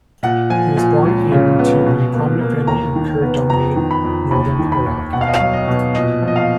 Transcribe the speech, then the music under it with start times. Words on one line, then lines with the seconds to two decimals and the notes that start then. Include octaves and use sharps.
He was born into a prominent family in Kurd-dominated northern Iraq.
0.23 A#2 F#5
0.50 F3 G#5
0.77 A#2 G#5
1.05 C#2
1.32 C#3
1.59 B3
1.86 B2
2.13 A#3
2.41 A#3
2.67 D#2 A#5
2.96 D#3
3.22 B3
3.50 F2 A#5
3.76 D#3
3.91 B5
4.05 F2
4.31 D#2 B5
4.59 D#3
4.72 B5
4.86 D#2
5.13 B2 F#5
5.21 F5
5.28 D#5
5.35 F#3 F5
5.53 D#5
5.68 B2
5.95 A#2 D#5
6.22 F3
6.28 D#5
6.36 F5